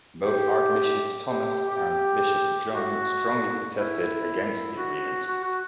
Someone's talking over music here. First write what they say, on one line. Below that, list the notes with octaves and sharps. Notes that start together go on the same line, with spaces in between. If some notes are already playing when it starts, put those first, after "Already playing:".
Both Archbishop Thomas and Bishop John strongly protested against the agreement.
G4
G4
G4
F#4
E4
F#4
F#4
F#4